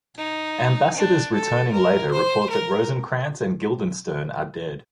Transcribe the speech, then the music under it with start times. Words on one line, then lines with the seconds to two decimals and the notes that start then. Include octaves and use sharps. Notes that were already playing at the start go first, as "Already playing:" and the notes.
Ambassadors returning later report that Rosencrantz and Guildenstern are dead.
0.18 D#4
0.96 D4
1.34 A4
1.72 A#4
2.11 C5
2.50 A#4